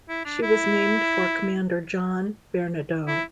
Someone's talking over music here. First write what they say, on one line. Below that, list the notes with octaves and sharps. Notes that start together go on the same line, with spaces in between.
She was named for Commander John Bernadou.
E4
D4
E4
E4